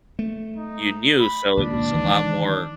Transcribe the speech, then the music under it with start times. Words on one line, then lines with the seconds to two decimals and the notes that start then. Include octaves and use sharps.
you knew, so it was a lot more
0.19 A3
0.57 D#4
1.20 B5
1.57 C#2 A#2 D#3 D4
1.94 D#3 E3 G#3